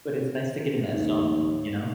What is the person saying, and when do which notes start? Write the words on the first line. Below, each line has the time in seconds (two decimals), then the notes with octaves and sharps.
But, it's nice to get in that zone, you know?
0.94 D#2